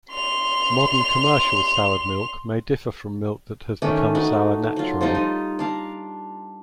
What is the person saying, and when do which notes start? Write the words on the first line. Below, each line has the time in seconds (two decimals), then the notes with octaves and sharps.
Modern commercial soured milk may differ from milk that has become sour naturally.
0.12 C6 F7
3.82 D#3 A3 C#4 D4
4.15 D4 D#4 F#4
4.76 F#3 F4
5.01 F3 G3 D#4 F4
5.15 D#4
5.59 D4 F5 A#5